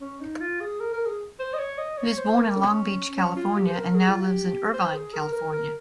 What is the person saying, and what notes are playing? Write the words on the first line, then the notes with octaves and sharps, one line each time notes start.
He was born in Long Beach, California and now lives in Irvine, California.
C#4
D#4
F4
G#4
A#4
A#4
G#4
C5
D#5
C#5
D#5
C#5
C5
A#4
C#4
C#4
F4
G4
C5
A#4
G#4
F4
G4
C5
G#4
A#4
A#4
A#4